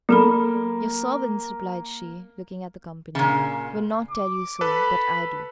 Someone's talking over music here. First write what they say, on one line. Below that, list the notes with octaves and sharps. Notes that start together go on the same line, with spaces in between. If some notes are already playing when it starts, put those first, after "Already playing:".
"Your servants," replied she, looking at the company, "will not tell you so; but I do."
F#3 A#3 A4 B5
A#2 C#3
D6
A4 B4 B5